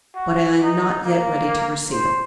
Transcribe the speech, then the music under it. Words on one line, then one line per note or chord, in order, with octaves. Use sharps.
"But I am not yet ready to receive it."
F#4
D#4
A#3
C5